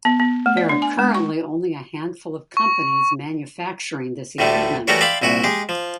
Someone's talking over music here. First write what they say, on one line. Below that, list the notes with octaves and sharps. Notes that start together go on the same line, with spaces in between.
There are currently only a handful of companies manufacturing this equipment.
B3
B3
A3
D5
D4
G#5
G#3
C#6
C#6
D2 A2 D3 G3 A3
E3 G3 A3 F#4 A#4 C#5
D5 E5 F5 G5 B5 C6
C2 A#2 E4 F#4 G#5
G#3 G4 G#4
F3